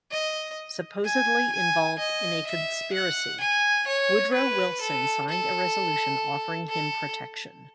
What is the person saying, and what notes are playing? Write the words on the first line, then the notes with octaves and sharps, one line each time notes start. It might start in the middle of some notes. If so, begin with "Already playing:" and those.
Supposedly involved in a conspiracy, Woodrow Wilson signed a resolution offering him protection.
D#5
G#5
G#5
D#5
E5
F#5
G#5
C#5
B4
A4
A4
A4